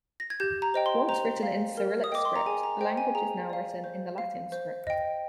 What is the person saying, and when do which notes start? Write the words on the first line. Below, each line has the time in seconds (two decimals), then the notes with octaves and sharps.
Once written in Cyrillic script, the language is now written in the Latin script.
0.20 A#6
0.30 G#6
0.40 G4 G6
0.62 A#5
0.74 C5 D#5 G5
0.86 C6
1.09 C5 A#5
1.43 F5
1.77 A#4
2.04 D#6
2.12 D#5 G5 D6
2.25 C6
2.36 A#5
2.46 G#4 G#5
2.63 A#5
2.81 C5 D#5 G5
2.97 G#5
3.15 G#4 A#5
3.50 D5 F5
3.84 C5
4.18 F5
4.52 C5
4.87 D#5 G5